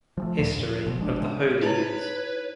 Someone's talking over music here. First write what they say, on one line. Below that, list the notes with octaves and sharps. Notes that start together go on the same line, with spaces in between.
History of the Holy Years.
F3 G3 A3
D2 A#2
F2
F1 B2 F3
G#1 G#3 D4
C#3 G#3
D#4 E4 B4 C#5